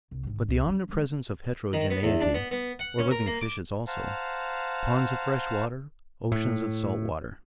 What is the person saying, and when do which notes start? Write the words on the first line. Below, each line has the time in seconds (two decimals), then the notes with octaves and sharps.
But the omnipresence of Heterogeneity--or living fishes, also--ponds of fresh water: oceans of salt water.
0.11 C2
0.23 G#2 D#3
0.49 C#2
0.66 F#3 C#4
0.89 F3 G#3
1.73 D#3
1.90 B3
2.03 E2
2.21 D4
2.34 B3
2.51 B3
2.79 F#5
2.99 C#4
3.11 A#4
3.27 A#3
3.41 D6
3.87 C5 F5 F#5 A5 A#5
6.32 A2